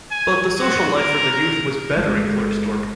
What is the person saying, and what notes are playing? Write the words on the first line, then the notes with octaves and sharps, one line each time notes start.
But the social life for the youth was better in Klerksdorp.
G#5
F#4
A#4
G1 G#3 A4